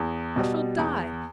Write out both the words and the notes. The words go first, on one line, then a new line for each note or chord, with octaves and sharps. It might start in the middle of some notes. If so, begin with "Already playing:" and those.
I shall die!
Already playing: E2
B2 G3
E2